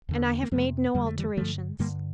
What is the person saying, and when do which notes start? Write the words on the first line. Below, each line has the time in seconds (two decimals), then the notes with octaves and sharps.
And I have made no alterations.
0.09 E2 D3
0.43 A#3
0.52 F2 C3 F3 A3
0.94 F2 D3 G3
1.06 A3
1.18 E3 G3
1.37 G2 D3 F3 A3
1.79 G2 D3 G3 A#3